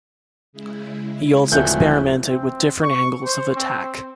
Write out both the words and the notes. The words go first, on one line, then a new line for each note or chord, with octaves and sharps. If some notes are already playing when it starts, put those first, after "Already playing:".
He also experimented with different angles of attack.
C#3 G#3 E4
D1 F3 A3 B3 F#6 G6
C4
C#6
C5
C4